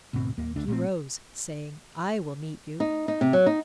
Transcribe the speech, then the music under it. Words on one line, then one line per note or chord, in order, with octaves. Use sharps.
He arose, saying, 'I will meet you.'
D2 G#2 B2 C4
D1 D#2 A#3
C#2 D3 A3 D4
A#2 G#3 A3 C4
D#4
D#4
C3
F#3
D#4